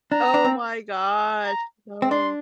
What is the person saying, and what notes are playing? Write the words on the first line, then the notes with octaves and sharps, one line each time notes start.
Oh, my gosh, no.
D4 A#5
D4
C4
A#5
C4
D4 C6